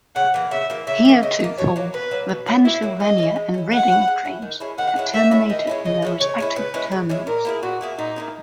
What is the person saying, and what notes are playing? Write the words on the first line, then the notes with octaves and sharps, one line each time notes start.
Heretofore the Pennsylvania and Reading trains had terminated in their respective terminals.
C#3 F#5
E3 A#3
C#3 E5
E3 A#3
C#3 E5
E3 A#3
C#3 D#5
E3 A#3
B2 C#5
F#3 A#3
B2 B4
F#3 A#3
B2
F#3 A#3
B2 E4
F#3 A#3
G#3 D#5
C#4 E4
G#3
C#4 E4
G#3 F#5
C#4 E4
G#3
C#4 E4
D#3
G#3 C#4 E4
D#3 F#5
G#3 C#4 E4
D#3 E5
G#3 C#4 E4
D#3 D#5
G#3 C#4 E4
C#3 D#5
G#3 C#4 E4
C#3 C#5
G#3 C#4 E4
C#3 B4
G#3 C#4 E4
C#3
G#3 C#4 E4
A#2 A#4
A#3 E4 G#4
A#2 F#4
A#3 E4 G#4
A#2 D#4
A#3 E4 G#4